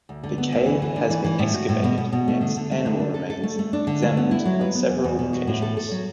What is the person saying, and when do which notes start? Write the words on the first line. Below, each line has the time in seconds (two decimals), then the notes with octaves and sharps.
The cave has been excavated and its animal remains examined on several occasions.
0.09 D2
0.23 D3
0.38 B3
0.52 D2
0.66 E3
0.82 E3
0.96 D4
1.10 E3
1.24 E3
1.39 A2
1.54 F#4
1.69 A2
1.84 B2
1.98 B2
2.13 B2
2.28 A3
2.41 D3
2.57 D3
2.71 A3
2.86 D3
2.99 D4
3.14 A4
3.30 A4
3.43 A3
3.59 A3
3.73 D4
3.87 D3
4.03 A3
4.17 B3
4.31 E4
4.45 F#3
4.61 B4
4.75 B3
4.89 E2
5.04 E2
5.19 B2
5.33 F#4
5.47 A2
5.62 A4
5.77 A4
5.91 F#3